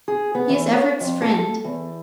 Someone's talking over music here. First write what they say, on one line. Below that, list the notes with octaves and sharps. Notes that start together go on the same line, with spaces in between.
He is Everett's friend.
G#4
B3
E2
C#5
F2
A4
E2